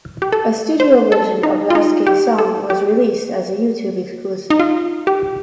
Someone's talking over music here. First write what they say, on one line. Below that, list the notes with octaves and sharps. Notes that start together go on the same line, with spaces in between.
A studio version of "Last Gay Song" was released as a YouTube exclusive.
G4
A4
C5
A4
D#4
F4
D#4
G4
A4
G4
D#4
F4
G4